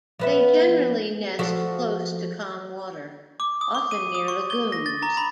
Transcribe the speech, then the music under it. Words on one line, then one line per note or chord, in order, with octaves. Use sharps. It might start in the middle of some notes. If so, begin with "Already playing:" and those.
They generally nest close to calm water, often near lagoons.
F3 B3 E5
F3 F#4 A4
D6
D#6
C#6
D#7
D#6
C#6
G7
A#6
A6
A#5
B5